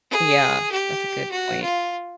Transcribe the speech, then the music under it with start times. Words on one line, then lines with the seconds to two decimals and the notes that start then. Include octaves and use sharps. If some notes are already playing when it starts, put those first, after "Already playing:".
Yeah, that's a good point.
0.11 G#4
0.72 G4
1.31 F#4
1.62 F4